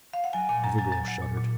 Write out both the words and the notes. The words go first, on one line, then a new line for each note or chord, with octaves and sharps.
The girl shuddered.
F5
F#5
F#3 G#5
A#2 G#5
F#3 A#5
F#3 G#5
F#3
F#3
A#2
A#2